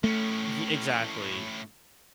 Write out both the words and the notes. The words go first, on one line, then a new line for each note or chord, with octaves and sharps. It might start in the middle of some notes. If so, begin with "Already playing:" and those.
ye exactly.
A2 A3 C#4